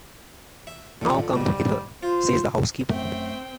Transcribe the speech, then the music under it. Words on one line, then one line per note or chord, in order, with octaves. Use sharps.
"Now, come hither," says the housekeeper.
E5
F2 D3
G#2 G3
F4 C5
F#2 A3 C4 G5